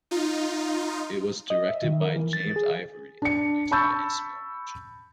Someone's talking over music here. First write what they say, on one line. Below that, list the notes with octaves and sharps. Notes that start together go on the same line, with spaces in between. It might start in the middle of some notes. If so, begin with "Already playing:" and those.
It was directed by James Ivory and produced by Ismail Merchant.
D#4 F4
D#5
E5
D#3
A#4
E3
A6
G#4
D4 C#7
A5 B5 C#6 E6 G6 A6